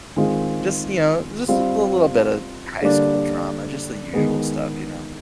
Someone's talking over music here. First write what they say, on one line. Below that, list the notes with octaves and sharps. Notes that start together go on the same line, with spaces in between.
just, you know, just a little bit of high school drama, just the usual stuff, you know.
D#3 G#3 C4 F4
G3 C4 F4
D3 G3 A#3 D4
D#3 G#3 B3